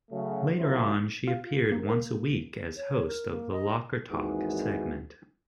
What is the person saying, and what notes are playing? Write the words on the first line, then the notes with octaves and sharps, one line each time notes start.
Later on, she appeared once a week as host of the "Locker Talk" segment.
C#3 F#3 A3
C#3 F3 F#3 A#3 E4 C5
F4
A#3
A#3
C#5
A#4
A#3
D#5
G#1 D#2 G#2 E3 F#4 G#4